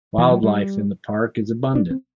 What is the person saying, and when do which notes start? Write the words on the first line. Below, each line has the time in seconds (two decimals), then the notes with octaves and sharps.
Wildlife in the park is abundant.
0.18 E3
0.30 F#3
0.43 G3
1.75 D4
1.90 C4